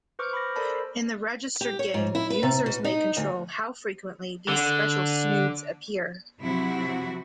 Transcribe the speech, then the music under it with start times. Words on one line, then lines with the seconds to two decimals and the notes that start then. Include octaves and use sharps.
In the registered game users may control how frequently these special Snoods appear.
0.19 B4 C5 C#6 D6 F6
0.33 B5 D6 A#6
0.56 A4 A#4 C5 D5 A5 B5
1.61 G4
1.79 C#5
1.94 G#2
2.15 E4
2.30 B4
2.43 C3
2.66 B2
2.84 D#4
3.17 D2
4.48 D3
6.40 C3 F3 F#3 E4 F#4